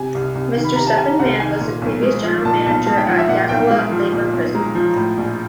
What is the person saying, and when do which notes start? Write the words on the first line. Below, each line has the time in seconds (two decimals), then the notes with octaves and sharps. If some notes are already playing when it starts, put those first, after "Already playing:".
Mr. Stephen Mann was the previous General Manager of Yatala Labour Prison.
Already playing: C3 G#5
0.15 C2
0.35 C2
0.56 D#3
0.64 B5
0.76 C3 A#5
0.87 A5
0.97 C2 G#5
1.19 C2 F#5
1.40 D#3 G#5
1.60 A#2
1.82 B1
2.02 G#3
2.23 F3
2.45 A#2 A5
2.66 B1 A5
2.86 G#3 A5
2.98 G5
3.07 F3 F#5
3.19 E5
3.28 A#2 F#5
3.49 B1 G5
3.71 G#3
3.92 F3
4.13 A#2
4.33 B1
4.55 G#3 A#5
4.75 F3
4.96 A2
5.17 A#1